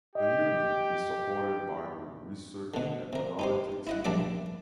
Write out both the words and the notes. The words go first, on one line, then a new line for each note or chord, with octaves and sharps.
The Unit is supported by the Research and Analytics Unit.
G4 D#5
B2 D3
C3 A#4
D#4 G4 C5
E4 D#5 F#5
A#1 G3 D4 D5 E5 D6